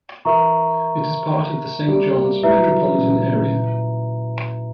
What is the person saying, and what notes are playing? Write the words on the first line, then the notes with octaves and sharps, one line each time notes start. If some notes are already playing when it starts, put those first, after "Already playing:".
It is part of the Saint John's Metropolitan Area.
E3 A#4 E5 A#5 C#6
G3
A#3
G3 E4 B4 E5 A#5
F#3
E3
C#3
A#2
C#3
A#2
A#2